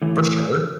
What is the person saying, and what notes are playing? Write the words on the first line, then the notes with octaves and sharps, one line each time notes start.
For sure.
A2 E3